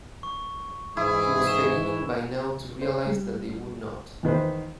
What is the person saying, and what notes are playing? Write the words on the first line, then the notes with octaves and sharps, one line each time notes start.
She was beginning by now to realise that they would not.
C#6
G#2 E3 E4 G#4
C#6 E7
C5
G3
E2 D#3 B4 C5